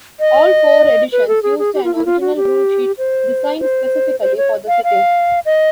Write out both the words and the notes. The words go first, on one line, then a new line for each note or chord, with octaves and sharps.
All four editions used an original ruleset designed specifically for the setting.
D#5
B4
A4
G#4
G#4
G4
F4
E4
F4
F#4
G4
C5
C5
C5
C#5
F5
F5
D#5